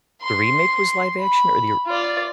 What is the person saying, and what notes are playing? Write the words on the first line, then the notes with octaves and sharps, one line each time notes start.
the remake was live action or the
C6
B5
F4 D5